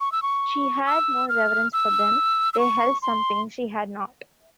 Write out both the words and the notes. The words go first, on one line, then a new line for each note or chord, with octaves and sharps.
She had more reverence for them: they held something she had not.
C#6
E6
C#6
E6
F6
E6
E6
C#6
C6